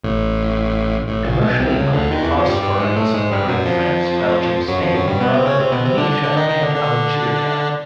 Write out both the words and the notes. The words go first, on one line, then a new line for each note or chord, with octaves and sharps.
Commercially mined phosphorites occur in France, Belgium, Spain, Morocco, Tunisia and Algeria.
A1 A2
A1 A2
A#1 A#2
B1 B2
C2 C3
C#2 C#3
D2 D3
D#2 D#3
E2 E3
F2 F3
G2 G3
G2 G3
G#2 G#3
A2 A3
G#2 G#3
G2 G3
F#2 F#3
F2 F3
F#2 F#3
F2 F3
F#2 F#3
G2 G3
B2 B3
C3 C4
C#3 C#4
C3 C4
B2 B3
C3 C4
D3 D4
D3 D4
D3 D4
D#3 D#4
D#3 D#4
D3 D4
D3 D4